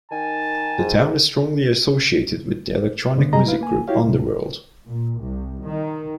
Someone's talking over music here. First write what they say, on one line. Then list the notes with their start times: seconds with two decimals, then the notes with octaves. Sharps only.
The town is strongly associated with the electronic music group Underworld.
0.12 D#3 G#5 A5
0.79 G#2
3.17 G2 D3 B3
3.33 F#2 F#3 G3 G#4 D#5 A#5
3.46 E4 B4 F5
3.61 A#3 G#5
3.88 E4 F#4 G4 C#5 F5
4.04 D#2 A2 C3
4.86 A#2
5.22 C2
5.64 D#3